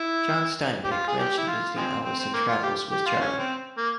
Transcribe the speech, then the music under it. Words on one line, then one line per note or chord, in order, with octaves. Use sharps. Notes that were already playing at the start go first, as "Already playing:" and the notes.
John Steinbeck mentioned visiting Alice in Travels with Charley.
Already playing: E4
G4
F4
G#4
G4
E4
F4
F3 G#3 C4
C4
C4
A#3
F4
G4
G4
F4
C#4
C4
A#3